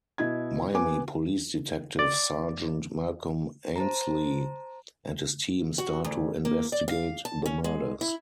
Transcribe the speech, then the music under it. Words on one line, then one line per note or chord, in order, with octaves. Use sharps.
Miami Police Detective Sergeant Malcolm Ainslie and his team start to investigate the murders.
B2 E4 D#5 G#6
B3 G#5 D6
D5
C5 A5 A#5
F#4
D2
A#3
D5
F5
A5
C#4
G#3
E4